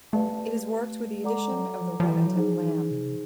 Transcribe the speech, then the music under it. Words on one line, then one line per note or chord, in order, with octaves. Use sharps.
It is worked with the addition of the rennet of lamb.
A3 G4 B4 D5 F5 A5
G#3 A4 D5 F#5 A#5 D6
F#3
F3
F3
E3
F#3
F3 D#4 G#4 C5
E3
C3